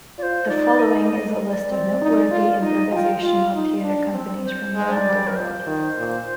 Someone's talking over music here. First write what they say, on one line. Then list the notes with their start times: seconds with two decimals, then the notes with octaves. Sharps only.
The following is a list of noteworthy improvisational theatre companies from around the world.
0.18 F4 C5 D5
0.48 D#4 D5
0.79 D#5
1.02 D#5
1.48 D5
1.70 C4
2.01 D#4
2.31 F4
2.62 D#4 D#5
2.92 F4 A#5
2.96 G5
3.23 F4
3.54 D#4
3.84 D4
4.14 C4
4.44 C5
4.75 G#3
4.90 D5
5.06 G3
5.27 A#4
5.36 F3 C5
5.67 D#3
5.97 A#2